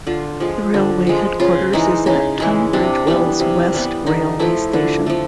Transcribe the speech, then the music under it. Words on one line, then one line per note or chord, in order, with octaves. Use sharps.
The railway headquarters is at Tunbridge Wells West railway station.
D3 F4
F3 G#3
D3
F3 G#3
C#3 F4
E3 G#3 D#4
C#3 D#4
E3 G#3
C3 D4
E3 G3 B3
C3
E3 G3 B3
D3 D#4
F3 A3 E4
D3
F3 A3